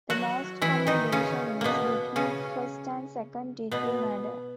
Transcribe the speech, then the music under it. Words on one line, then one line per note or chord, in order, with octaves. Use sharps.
The most common division is between first- and second-degree murder.
F#3 F#4
E3 E4
D#3 D#4
C#3 C#4
B2 A#3 B3
C#3 C#4
B2 B3